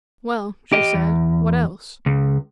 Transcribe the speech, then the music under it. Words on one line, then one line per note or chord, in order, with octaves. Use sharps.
"Well," she said, "what else?"
G4 D#5
E2
C#2